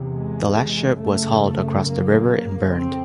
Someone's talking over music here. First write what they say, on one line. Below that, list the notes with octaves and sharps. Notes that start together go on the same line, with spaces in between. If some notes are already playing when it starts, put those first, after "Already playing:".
The last ship was hauled across the river and burned.
Already playing: E2 C3
G#3
F#2 C#3 A3
A#3
F2 C4